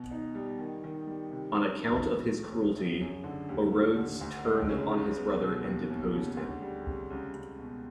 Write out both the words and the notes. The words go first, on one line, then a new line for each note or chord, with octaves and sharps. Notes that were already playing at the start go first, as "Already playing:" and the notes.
On account of his cruelty, Orodes turned on his brother and deposed him.
Already playing: B2
D#4
G3
D#3
D#3
G3
C3
C#4
F3
C#2
A3
C#3
F#2
F#2
D3
D#2
A3
D3
D2
G#3
C#3
C#2
B3
B2
D#2
D#2
C#3
D2
G3
C3
C#2
C#2
B2